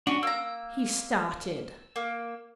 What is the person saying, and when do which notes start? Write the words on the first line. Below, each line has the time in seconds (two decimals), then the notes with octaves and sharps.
He started.
0.07 C#4 D4 F#4
0.23 A#3 A#5 E6
1.96 A#3